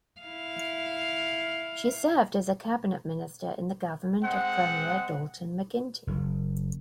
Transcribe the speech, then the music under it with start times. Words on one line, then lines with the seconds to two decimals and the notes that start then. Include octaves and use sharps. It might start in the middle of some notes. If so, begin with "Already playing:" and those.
She served as a cabinet minister in the government of Premier Dalton McGuinty.
0.21 E4 F5
4.23 G#3 C4 F#5
6.07 F#1